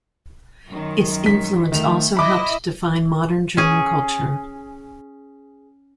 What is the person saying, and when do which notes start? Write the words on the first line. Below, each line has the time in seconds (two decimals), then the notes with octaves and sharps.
Its influence also helped define modern German culture.
0.68 F#2 D#3
1.26 B6
1.72 D#3 A3 F7
2.17 E4 D#5 B5 D6
3.57 C#4 G#4